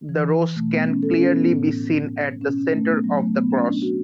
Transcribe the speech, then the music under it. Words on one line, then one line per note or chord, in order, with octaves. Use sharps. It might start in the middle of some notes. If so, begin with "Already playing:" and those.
The rose can clearly be seen at the center of the cross.
E3
B2 A3
B3
C#4
A4
C#4
B3
A2 E3
B2 C#4
C#4
A3
B3
F#3
A3
B2 B3
C#4
D4
F#4